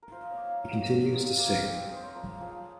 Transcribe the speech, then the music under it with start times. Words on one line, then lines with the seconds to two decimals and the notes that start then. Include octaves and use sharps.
He continues to sing.
0.02 A#4
0.11 F4 C5
0.21 D#5
0.31 C#5
0.37 A#3
0.50 F5
0.62 F#3
0.69 D#5
0.88 F#3
1.14 F4 D#5
1.39 A#3 F5
1.64 C4 D#5
1.90 G#3 C#5
1.96 C5
2.04 C#5
2.15 F3 A#4
2.40 F3 G#4